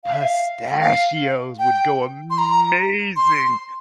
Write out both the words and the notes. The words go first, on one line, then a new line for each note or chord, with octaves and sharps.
Pistachios would go amazing.
F5
E5
F5
F5
G5
C6
A#5
C6